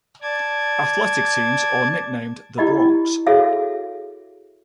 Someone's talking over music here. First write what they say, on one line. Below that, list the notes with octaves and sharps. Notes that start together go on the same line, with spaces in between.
Athletic teams are nicknamed the Broncs.
D5 A5 D6 G#6
E4 G4 D5 D#5 B5
F#4 G#4 A4 C#5 E5 F5